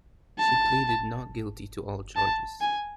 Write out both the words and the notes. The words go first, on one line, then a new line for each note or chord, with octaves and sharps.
She pleaded not guilty to all charges.
A5
A5
G#5